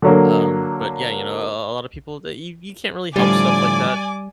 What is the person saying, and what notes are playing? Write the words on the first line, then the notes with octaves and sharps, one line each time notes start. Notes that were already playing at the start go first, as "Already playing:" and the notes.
Um, but yeah, you know a a a a lotta people that you you can't really help stuff like that,
D3 F#3 A#3
A2 D3 F3 G3 D5 G#5 D6